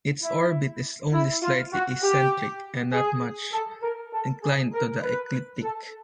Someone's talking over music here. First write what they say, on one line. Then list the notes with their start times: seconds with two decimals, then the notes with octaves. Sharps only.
Its orbit is only slightly eccentric and not much inclined to the ecliptic.
0.23 E4
1.13 E4
1.43 F4
1.73 F#4
2.03 G4
2.93 G#4
3.53 A4
3.83 A#4
4.13 A4
4.43 G#4
4.73 A#4
5.03 B4
5.63 A4